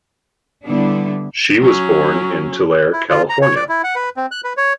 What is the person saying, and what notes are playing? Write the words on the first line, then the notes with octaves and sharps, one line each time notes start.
She was born in Tulare, California.
D3 G3 B3 D4 E4
F#3 C#4
E4
F4
A#5
C#5
D5
E4
F#5
B4
C4
F#6
B4
C#5